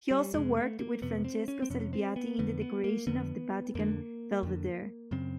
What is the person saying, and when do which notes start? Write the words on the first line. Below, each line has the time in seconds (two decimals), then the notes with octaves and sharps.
He also worked with Francesco Salviati in the decoration of the Vatican Belvedere.
0.11 G3
0.34 F2 C3 G#3
0.57 A3
0.79 A#3
1.02 F2 C3 B3
1.24 C4
1.48 C#4
1.62 C4
1.70 F2 C3 C#4
1.93 C4
2.16 B3
2.39 F2 D3 B3
2.61 B3
2.84 A#3
3.07 F2 D3 B3
3.75 F2 D3 A#3
4.43 F2 D3
5.11 F#2 C#3 C4